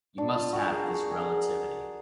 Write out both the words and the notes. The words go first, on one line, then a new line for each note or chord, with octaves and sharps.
You must have this relativity.
D4
F4
F#4
G#4 A#4
F#4
G#4